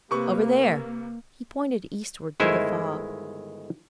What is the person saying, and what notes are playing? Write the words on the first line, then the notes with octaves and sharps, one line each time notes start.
'Over there,' He pointed eastward through the fog.
C3 A#3 B4 C#6
G1 D#3 G#3 E4 C5 E5